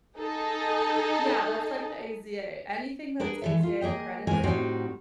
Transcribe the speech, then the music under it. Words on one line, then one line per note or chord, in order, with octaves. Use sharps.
Yeah, that's like the AZA. Anything that's AZA accredited,
D#4 G#4 A4
D4 G#4 A#4 B4
E3 A4 E5
F4
A#3 G#4 D#5 G5
E2 A2 G#3 A#4 G#5
A2 G3 C4 D#4 F#4